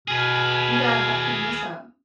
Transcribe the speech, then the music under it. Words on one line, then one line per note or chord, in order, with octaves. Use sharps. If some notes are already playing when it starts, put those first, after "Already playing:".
you gotta help clean this up."
B2 G#4 B4 G#5 F6